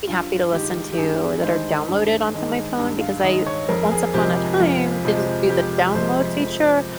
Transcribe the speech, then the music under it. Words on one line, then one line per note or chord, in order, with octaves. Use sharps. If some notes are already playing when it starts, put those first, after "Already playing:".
be happy to listen to, that are downloaded onto my phone because I, once upon a time, didn't do the download feature
G2 F4
D#3 G#3 G4
G4
G2 G#4
D#3 G#3 C5
G2
D#3 G#3
G2
F5
D#3 G#3 D#5
C#5
F2 A#4
G#4
C3 F3 G#3 G4
F2 F4
C3 F3 G#3
F2 G4
C3 F3 G#3 C5
F2